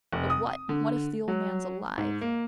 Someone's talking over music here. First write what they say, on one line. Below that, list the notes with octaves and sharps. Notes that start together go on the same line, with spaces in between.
But what, what if the old man's alive?
F1
D#6
D3
F#3
G#2
A#3